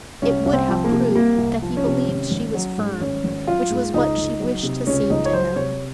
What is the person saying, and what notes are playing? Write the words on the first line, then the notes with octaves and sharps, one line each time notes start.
It would have proved that he believed she was firm--which was what she wished to seem to him.
C2 C#4
C2
C4
F3
A#3
C3
C2 A#3
C2
F3
C#4
C3
G#1
G#1
F#3
G#2
G#1 C#4
G#1
F#3 F4
G#2
C#2 D#4
C#2
F#3
C3
C#2 C#4
C#2 D#4
C#5
F#3 C5
C3 C#5